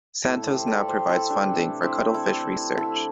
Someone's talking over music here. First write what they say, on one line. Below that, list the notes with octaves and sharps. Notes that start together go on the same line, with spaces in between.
Santos now provides funding for cuttlefish research.
A2 A3 E4 A4
G4 C5
A4 D5
G4 C5
E4 A4
D4 G4
C3 E3 A3
C4 E4
E4 A4
D3 A3 E4 A4